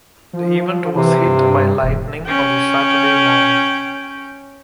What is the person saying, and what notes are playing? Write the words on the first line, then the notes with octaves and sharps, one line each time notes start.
The event was hit by lightning on the Saturday morning.
F3
C3 E3
G2
E1
C#4 G5